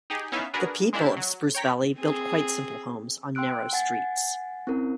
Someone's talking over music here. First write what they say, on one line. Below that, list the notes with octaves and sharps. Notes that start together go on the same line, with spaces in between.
The people of Spruce Valley built quite simple homes on narrow streets.
D#4 G4 G#4
B3 C#4 D#4 E4 E5 F5
D4 F#4 G#4 A#4 B4
G#3 A#3 D4 E4 G4
F#3
C#5 G5 A#5 B6
C4 G#4
G5 C6 E6 F#6 D7
F#5 G#5 A6 C7
C4 C#4 E4 A#4